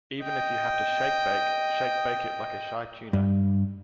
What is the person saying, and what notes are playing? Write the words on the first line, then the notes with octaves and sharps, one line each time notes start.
Even if you have to shake-bake shake-bake it like a Shy Tuna.
D#5 G5
G2